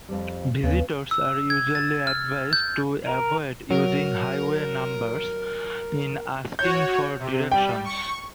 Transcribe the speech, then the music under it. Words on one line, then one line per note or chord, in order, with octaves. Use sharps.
Visitors are usually advised to avoid using highway numbers in asking for directions.
F2 F3 G3
D#2 C#3 B3 C#4
E6
G#6
A6
F6
G6
A#4
F#3 A#4
F#4 C#5 G6
C3
G3 G5
C#6